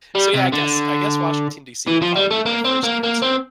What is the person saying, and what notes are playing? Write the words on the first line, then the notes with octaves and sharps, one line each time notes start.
So, yeah, I guess I guess Washington DC would probably be my first answer,
G3
C3
D3
E3
F3
G3
A3
A#3
C4
A#3
A#3
C4